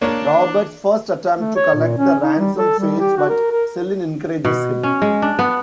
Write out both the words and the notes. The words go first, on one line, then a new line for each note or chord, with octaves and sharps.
Robert's first attempt to collect the ransom fails but Celine encourages him.
A#3 D4 C#5
A3
C#5
A#2
C#4
D#4
G3
A4
G3
G4
F#4
A#4
A#4
B2
C#4
G#3
D4
B3